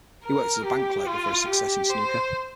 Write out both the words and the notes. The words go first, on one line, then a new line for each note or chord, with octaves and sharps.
He worked as a bank clerk before his success in snooker.
A#4
G4
F4
G4
C5